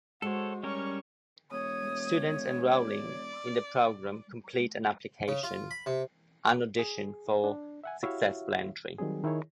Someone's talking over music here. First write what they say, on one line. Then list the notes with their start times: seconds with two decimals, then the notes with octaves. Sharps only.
Students enrolling in the program complete an application and audition for successful entry.
0.22 G#3 F#4 A4 C5 C#5
0.63 G3 C#4 A#4 C#5 C#6
1.51 E1 C#5 D#6
2.75 D5
5.28 C#3
5.43 F4
5.71 B5
5.86 C3
6.79 G#4
7.44 D4
7.84 E5 F#5 G#5
8.03 E4 F#4 G4 C#5 E5 F5
8.98 D#3 F#3 G3 C4 G#4
9.24 D#3 E4 G#4 C#5